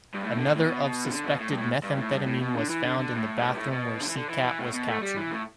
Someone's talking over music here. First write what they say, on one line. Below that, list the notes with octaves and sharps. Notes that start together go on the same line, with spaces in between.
Another of suspected methamphetamine was found in the bathroom where Seacat was captured.
G2
A2
D3
B2
A2
B2
E3
D3
B2
A2
G2
A2
G2
A2
G2
A2
B2
D3
E3
D3
D3
A2
G2
A2
G2
A2
B2
D3
E3
D3
E3
E3
A2
B2
A3
G3
E3
A2